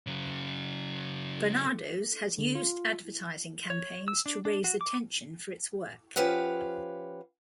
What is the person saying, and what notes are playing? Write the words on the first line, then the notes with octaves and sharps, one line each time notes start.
Barnardo's has used advertising campaigns to raise attention for its work.
C#3 F#3
D3
F4
C#5
E6
D4
D4
F#4
D6
F3 C#4 G4 B4 F5 F#5